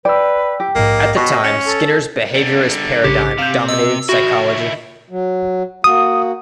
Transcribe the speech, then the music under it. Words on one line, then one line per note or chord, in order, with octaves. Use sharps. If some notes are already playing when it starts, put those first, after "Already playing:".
At the time, Skinner's behaviorist paradigm dominated psychology.
B4 D5 G5 E6
G4
A#1 G#2 A#3 D#5
B2 C#6
C#4
A4
D3 G3
A#1 C#3 G4 C#7
C3 F5 G6
D#5 E6
D#3 E4 F#4
F#3
A#3 F#4 D#6